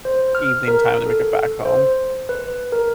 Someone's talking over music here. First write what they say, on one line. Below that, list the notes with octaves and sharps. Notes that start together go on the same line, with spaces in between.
evening time to make it back home,
C5
F6
A#4
A4
C5
B4
A#4